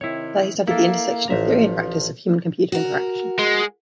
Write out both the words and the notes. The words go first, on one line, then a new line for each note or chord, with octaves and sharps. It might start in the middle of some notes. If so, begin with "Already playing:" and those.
There, he studied the intersection of theory and practice of human-computer interaction.
C3 D#3 E4 C#5
A#3 E4 A4
A1 F3 E5 A#5
F#4 A#4
G#3